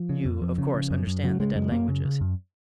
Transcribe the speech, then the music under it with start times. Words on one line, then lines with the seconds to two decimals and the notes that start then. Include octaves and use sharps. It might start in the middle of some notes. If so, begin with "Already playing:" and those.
"You, of course, understand the dead languages?"
Already playing: F3
0.09 C#3
0.26 F2
0.42 F2
0.58 C#3
0.75 C#3
0.91 F#2
1.07 F#2
1.23 C#3 F#3
1.40 C#3 G#3
1.56 F#2 G#3
1.72 F#2 A#3
1.88 C#3
2.05 C#3
2.21 F#2